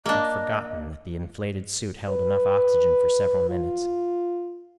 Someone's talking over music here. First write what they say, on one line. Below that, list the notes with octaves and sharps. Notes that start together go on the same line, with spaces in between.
He'd forgotten that the inflated suit held enough oxygen for several minutes.
A#3 D4 D#5
B4
F4